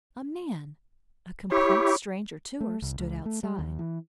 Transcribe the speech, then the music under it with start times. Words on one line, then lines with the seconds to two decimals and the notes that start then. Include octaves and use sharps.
A man--a complete stranger to her--stood outside.
1.52 E4 G4 C#5
2.61 A3
2.82 C2
2.99 C#2
3.25 A3
3.43 G3
3.59 D#2
3.79 E3